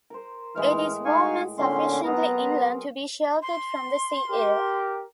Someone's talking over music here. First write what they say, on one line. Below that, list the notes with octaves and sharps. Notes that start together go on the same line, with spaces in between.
It is warm and sufficiently inland to be sheltered from the sea air.
A#4 C5
A2 E3 G#3 B5 F6
D#4 F5 G#5 C#6
A#2 D3 C4 C#4 F#4 F5 C6
F#3 B3 G#4 A#4 A#5
C6
G4 A#4